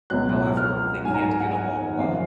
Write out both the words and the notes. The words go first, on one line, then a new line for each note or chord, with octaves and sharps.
However, they can't get along well.
C#2 B2 F#3 F#6
F#6
F6
G#2 F#3 G#5
A#5
G#5
F#5
G#5
F#2 F3 F5